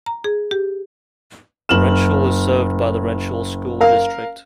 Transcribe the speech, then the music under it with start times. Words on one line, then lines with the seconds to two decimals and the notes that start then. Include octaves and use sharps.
Wrenshall is served by the Wrenshall School District.
0.06 A#5
0.24 G#4
0.51 G4
1.69 F#1 F6 E7 F#7
3.81 A#4 F5